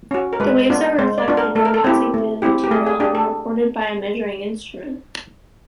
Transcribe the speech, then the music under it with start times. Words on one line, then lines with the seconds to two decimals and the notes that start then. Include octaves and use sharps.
The waves are reflected when passing through the material and recorded by a measuring instrument.
0.11 C#4 F#4
0.33 A#4
0.40 G#3 B4
0.70 B3 D4 F4
0.98 G#3 C5
1.18 D5
1.28 B3 D4 F4
1.37 A#4
1.55 A3 A4
1.65 A#4
1.74 A4
1.84 C4 E4 G4
2.14 A3
2.42 C4 E4 G4
2.64 G4
2.71 A3 G#4
2.87 G#4
3.00 D4 G4 G#4
3.15 A4